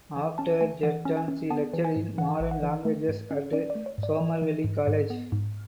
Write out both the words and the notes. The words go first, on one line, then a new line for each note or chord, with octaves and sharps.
After Girton she lectured in modern languages at Somerville College.
E3 G#5
C#4 A5
A3 G#5
E3 F#5
C#4
G#5
C#4
B3 A5
E3
G#5
G#2
E3 F#5
A1
F#5
E3
A3
G#2
C#4
C#4 D5
D5
A3
C#5
G#2
D5
E3
E3
G#2
G#2
B3
G#2